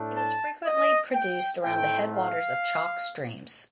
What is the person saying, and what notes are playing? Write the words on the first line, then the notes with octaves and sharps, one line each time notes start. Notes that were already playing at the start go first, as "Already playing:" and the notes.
It is frequently produced around the headwaters of chalk streams.
Already playing: A2 A3 D4
A5
D#5
G5
A2 A3 C4 D#4 G5
F5